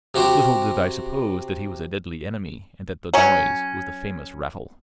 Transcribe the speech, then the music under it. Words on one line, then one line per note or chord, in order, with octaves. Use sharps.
Little did I suppose that he was a deadly enemy and that the noise was the famous rattle.
C3 F#4 G4 C5
F#3 C#4